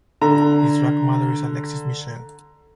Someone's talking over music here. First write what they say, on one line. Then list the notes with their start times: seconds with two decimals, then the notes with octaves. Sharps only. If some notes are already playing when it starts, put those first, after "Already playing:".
His drag mother is Alexis Michelle.
0.21 D3 A#5